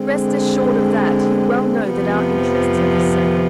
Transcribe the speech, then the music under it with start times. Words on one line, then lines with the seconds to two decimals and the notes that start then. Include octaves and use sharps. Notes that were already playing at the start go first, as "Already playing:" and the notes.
"Rest assured of that; you well know that our interests are the same."
Already playing: D3 G#3 C4
1.93 F2 C3 F3 B3